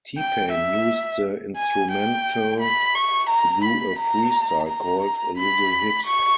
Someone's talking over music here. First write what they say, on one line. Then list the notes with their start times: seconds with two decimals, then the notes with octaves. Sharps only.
T-Pain used the instrumental to do a freestyle called A Little Hit.
0.18 G5
0.53 E5
1.57 G#5
1.92 G5
2.61 B5
2.95 C#6
3.30 A#5
3.64 B5
3.99 A#5
4.68 A#5
5.38 B5
6.07 C#6